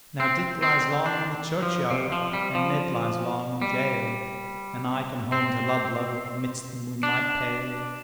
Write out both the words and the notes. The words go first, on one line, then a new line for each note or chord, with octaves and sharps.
Now Dick lies long in the churchyard, And Ned lies long in jail, And I come home to Ludlow Amidst the moonlight pale.
C4
C4
D4
F3
C3
F3
G3
F3
G3
C4
D4